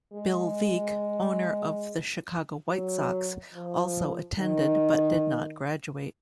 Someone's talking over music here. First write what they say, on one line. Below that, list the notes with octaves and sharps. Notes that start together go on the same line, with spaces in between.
Bill Veeck, owner of the Chicago White Sox, also attended but did not graduate.
G#3
F#3
F3
D#3